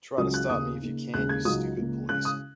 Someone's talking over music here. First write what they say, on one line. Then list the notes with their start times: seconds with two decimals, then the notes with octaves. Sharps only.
Try to stop me if you can you stupid police...
0.18 C#2 C#3 F#3 C#4 D#6
0.34 F#6
0.49 D#2 C#3 A#3 C#4 D#6
0.82 C#3 A#3 D#4
1.14 D#2 C#3 G#3 C#4 F#6
1.29 G#6
1.45 C#2 C#3 F#3 D#4 D#6
1.77 C#2 C#3 A#3
2.09 C#3 G#3 C#4 F#6
2.25 D#6